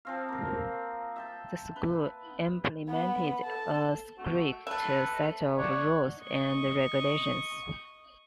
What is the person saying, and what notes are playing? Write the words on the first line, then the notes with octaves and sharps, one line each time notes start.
The school implemented a strict set of rules and regulations.
F3 C4 F5
A#3 A#4
E5 G5 A5
B4
B3 B5
A4 A5
A3 F#4
A3 A4 B4 E5
C#5 D5 F#5
D#5 C#6